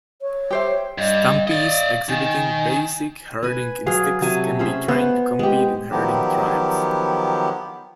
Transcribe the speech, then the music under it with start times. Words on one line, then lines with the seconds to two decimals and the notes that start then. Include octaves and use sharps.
"Stumpies" exhibiting basic herding instincts can be trained to compete in herding trials.
0.22 C#5
0.51 G4 C5 E5
0.98 G2 D#5
1.48 D5 D#5 F5
2.09 D#3 G#5
3.43 B4 G#5
3.86 F#3 G#4 F5
4.21 C3 F#3 G#5 A5
4.59 C#4 G#4 C5 E5
4.88 B3 C5
5.39 G#3 G4
5.91 D#3 F3 F#3 B3 G4